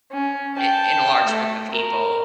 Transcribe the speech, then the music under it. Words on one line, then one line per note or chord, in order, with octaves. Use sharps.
in in a large group of people
C#4
G5 A5
A3
A#4